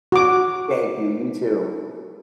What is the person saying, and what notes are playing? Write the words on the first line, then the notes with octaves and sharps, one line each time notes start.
Thank you, you too.
F#4 D6